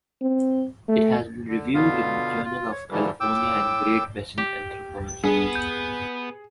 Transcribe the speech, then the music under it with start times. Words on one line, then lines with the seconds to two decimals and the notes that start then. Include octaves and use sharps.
It has been reviewed in the Journal of California and Great Basin Anthropology.
0.21 C4
0.89 A3
1.48 D3
1.74 B2 D3 B3 F4 F5
2.44 F4
2.71 C#5
2.90 G#2 D3 E3 F3 G3
3.20 A2 G5 D6 E6
4.38 G4
5.24 G3 B3 D4 G#4 B4
5.55 G6